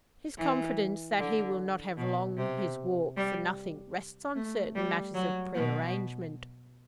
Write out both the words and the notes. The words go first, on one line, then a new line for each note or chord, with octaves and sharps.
His confidence that he will not have long his walk for nothing rests on certain matters of pre-arrangement.
E3
D3
B2
C3
G3
A3
G3
F#3
B2